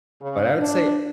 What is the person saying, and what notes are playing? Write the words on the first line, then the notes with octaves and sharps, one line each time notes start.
But I would say
C#3
D4